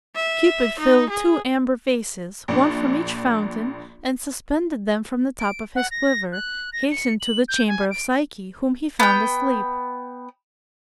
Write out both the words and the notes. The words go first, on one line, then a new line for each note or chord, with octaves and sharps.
Cupid filled two amber vases, one from each fountain, and suspending them from the top of his quiver, hastened to the chamber of Psyche, whom he found asleep.
E5
D#4
G#4
A#1 D4
D7
F#5
A#6
F#6
A#6
C#7
F#7
G6
G#5
D7
B3 G5